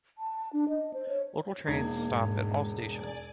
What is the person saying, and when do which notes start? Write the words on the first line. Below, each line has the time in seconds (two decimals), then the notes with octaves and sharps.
Local trains stop at all stations.
0.18 A5
0.53 D4
0.69 D#5
0.94 C5
1.09 C#5
1.67 E1 A#3 D#4 G#6
2.07 G#2
2.86 D5 G#5